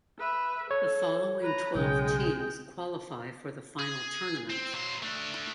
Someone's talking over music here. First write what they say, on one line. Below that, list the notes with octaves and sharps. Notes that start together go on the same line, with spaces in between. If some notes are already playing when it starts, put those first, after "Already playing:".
The following twelve teams qualify for the final tournament.
B4 E5
A4 C#5
B4 A#5
B1 C#3 G#3 G5
G#4
C4
F#3 C5
A3 D4